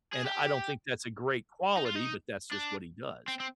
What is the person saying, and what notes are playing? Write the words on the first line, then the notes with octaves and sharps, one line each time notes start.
and I don't think that's a great quality, but that's just what he does.
G#4
G4
D#4
F4
D#4
D4
C4
C4